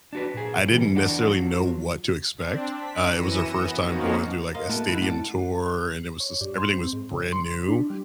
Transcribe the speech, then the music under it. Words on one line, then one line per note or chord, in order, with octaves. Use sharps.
I didn't necessarily know what to expect, uh, it was their first time going through, like, a stadium tour, and it was just everything was brand new,
D4 F#4 B4
A#2 G#4
G#2 E3 G3
E2 D4 D5 F#5
F3 F#3
C4 D4
B6
F#2 E3 A#6 C#7 D#7 E7
B3
D#3 F3 A#3 C#4 D#4 F#4
A#4 C5 D#5 F5
C3 A#3 B3 F#4 B4 A5
D#3 E4 F#4
D2 C#4 D5 F#5 A5
C#5
G2
C6
C4
G#2
C#3
C6
B6
D4
G3